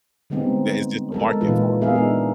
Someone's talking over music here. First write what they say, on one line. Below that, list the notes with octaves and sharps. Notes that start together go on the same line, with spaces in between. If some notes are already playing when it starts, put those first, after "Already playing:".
there is just a market for it.
D3 G3 G#3 B3 C4 D#4
G#3 A4 A#4
A#2 E3 G#3 D#4 F4 B4
G#3 B3 G#4 A#4 E5 F5
D4 D#4